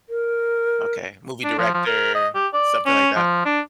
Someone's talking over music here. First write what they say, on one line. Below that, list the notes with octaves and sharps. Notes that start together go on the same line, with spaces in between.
Okay, movie director, something like that?
A#4
D4
F3
F3
A#4
D#5
G4
D5
C#4
F3
D4